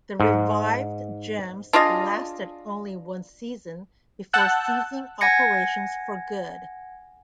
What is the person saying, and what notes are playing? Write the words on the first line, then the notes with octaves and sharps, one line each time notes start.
The revived Gems lasted only one season before ceasing operations for good.
G#2
D4 F4 G#4 D#5
F#5 A5 E6 F#6 G6
F#5 G#5 G#6 A#6 C#7